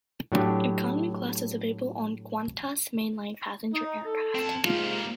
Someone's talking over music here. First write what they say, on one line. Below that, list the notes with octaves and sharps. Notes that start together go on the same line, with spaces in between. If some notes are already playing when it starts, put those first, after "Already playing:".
Economy class is available on all Qantas mainline passenger aircraft.
A2 F#3 D4 G4
D#4
A4
C4 A5
G#2 G3 A#3 F4